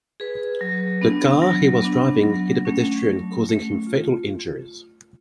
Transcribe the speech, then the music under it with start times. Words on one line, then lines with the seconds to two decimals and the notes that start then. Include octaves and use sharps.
The car he was driving hit a pedestrian causing him fatal injuries.
0.20 G#4 B4
0.61 F#3
1.01 B3 D4
1.42 F#3
1.83 B3 D4
2.23 F#3
2.65 A3 C#4
3.05 F#3
3.46 A3 C#4
3.87 F4